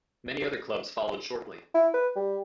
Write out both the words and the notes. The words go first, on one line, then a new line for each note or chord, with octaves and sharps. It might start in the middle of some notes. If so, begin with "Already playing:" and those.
Many other clubs followed shortly.
E4
B4
G3